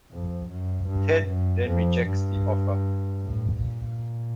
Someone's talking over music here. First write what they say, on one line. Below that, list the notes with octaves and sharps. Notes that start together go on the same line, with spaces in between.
Ted then rejects the offer.
F2
F#2
G2
F#2
F2
G2
A2
A#2